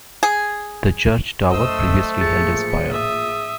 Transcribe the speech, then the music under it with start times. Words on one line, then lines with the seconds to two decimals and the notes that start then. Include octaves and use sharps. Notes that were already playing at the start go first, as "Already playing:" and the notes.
The church tower previously held a spire.
0.23 G#4
1.49 F#2 A3 C5 D#5 E6
2.21 A1 A#2 F3 G#4 A6 C#7
2.92 E5 D#6